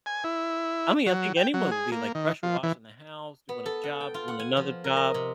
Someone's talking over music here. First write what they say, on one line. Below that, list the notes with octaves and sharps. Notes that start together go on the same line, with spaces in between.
I mean I think anyone will be like, pressure washing the house, doing a job, doing another job.
G#5
E4
F#3
G5
F#3
G#4
A#3
D#3
F3
E3
B3
A4
F#5
G5
F4
F#5
G#5
F3
A#4
D#5
C3